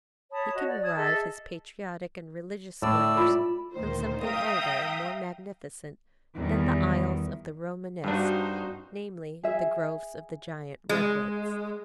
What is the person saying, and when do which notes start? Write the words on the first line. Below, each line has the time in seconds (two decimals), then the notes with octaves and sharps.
He can derive his Patriotic and Religious Splendors from something older and more magnificent than the aisles of the Romanesque, namely: the groves of the giant redwoods.
0.31 C#5 A5 B5 D#6
0.54 F#4 C#5 D#5
0.67 D5
0.83 A5 D#6 G#6
0.96 G#4 A4 D#5 E5
2.82 A2 D5 E6
3.17 F4 B5
3.73 D2 A#2 D#3 C5
4.23 E5 F5 G5 A#5 D#6
6.36 E2 D#3 G3
8.04 G2 D4 D#4 F#4 C5
9.43 G#4 E5
10.89 G#3